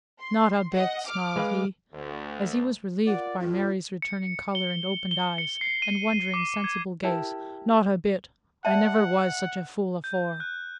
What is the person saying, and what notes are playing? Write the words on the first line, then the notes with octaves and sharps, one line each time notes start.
"Not a bit!" snarled he, as he was relieved by Mary's returning colour, and opened eyes, and wondering, sensible gaze; "not a bit! I never was such a fool afore."
C6
D#5 F#5
D6 F6
G#3 B4 F5
D2
F4 A#4 D5 F#5
F2 A2 F4
C#7
G7
G7
C#7
C7
D#7
D6
G#6
E4 G4 A#4 A5
D5 E5 F#5 A5
G6
F#6